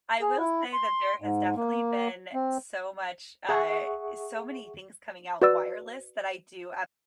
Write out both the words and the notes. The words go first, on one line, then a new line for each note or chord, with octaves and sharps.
I will say that there has definitely been so much, uh so many things coming out wireless that I do
G#4
E4
C6
G#2
A#3
C4
G#4 E5 F#5 C#6
F#4 B4 D5 E6